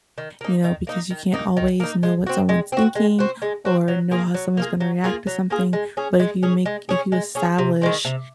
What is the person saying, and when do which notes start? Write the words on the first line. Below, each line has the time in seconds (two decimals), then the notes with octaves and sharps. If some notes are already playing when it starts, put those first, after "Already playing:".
you know, because you can't always know what someone's thinking, or know how someone's gonna react to something, but, if you make if you establish,
0.18 D#3
0.41 A#3 D#4
0.64 D#3
0.87 A#3 D#4
1.10 D#3
1.33 A#3 D#4
1.57 D#3
1.80 A#3 D#4
2.03 G#3
2.26 C4 F#4
2.49 G#3
2.72 C4 F#4
2.95 G#3
3.19 C4 F#4
3.42 G#3
3.65 C4 F#4
3.88 F#3
4.11 A#3 F4 G#4
4.34 F#3
4.57 A#3 F4 G#4
4.80 F#3
5.04 A#3 F4 G#4
5.27 F#3
5.50 A#3 F4 G#4
5.73 G#3
5.97 C#4 G#4
6.20 G#3
6.43 C#4 G#4
6.66 G#3
6.89 C#4 G#4
7.12 G#3
7.35 C#4 G#4
7.58 C3
7.82 D#3 G#3 C4
8.05 C3